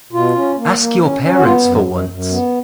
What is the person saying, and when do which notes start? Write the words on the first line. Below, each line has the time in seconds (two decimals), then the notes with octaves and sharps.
Ask your parents for once!
0.12 B2 F4
0.35 C#4
0.57 A#3
0.78 A#3
1.00 C#4
1.22 C#4
1.34 F#4
1.43 B3 F4
1.64 F#2
1.86 F#2
2.09 F#2
2.30 B3